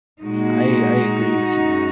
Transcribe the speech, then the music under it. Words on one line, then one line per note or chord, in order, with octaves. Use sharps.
I I I agree with you.
A#2 G#3 D#4 F#4
F#2 C#3 G#3